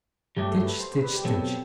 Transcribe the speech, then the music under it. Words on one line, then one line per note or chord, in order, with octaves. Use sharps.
Stitch, stitch, stitch.
G2 F#3 A3 D4 G4
A4
B4
C5
C5
B4 D5
G4
B2 F#3 C4 A4